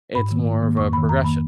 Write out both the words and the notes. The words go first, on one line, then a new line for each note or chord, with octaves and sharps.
It's more of a progression.
G#2 B5
D#3 A#3
G#2
D#3 A#3
F2 C#6
D#3 A#3 B5
F2 A#5
D#3 A#3 B5